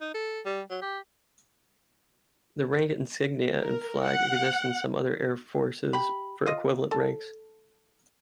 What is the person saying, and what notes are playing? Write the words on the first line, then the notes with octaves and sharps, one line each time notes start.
The rank insignia and flag exists in some other air forces for equivalent ranks.
D#4
A4
G3
F#3
G4
A#4
F#5
G4 B5
F4 D#5
A4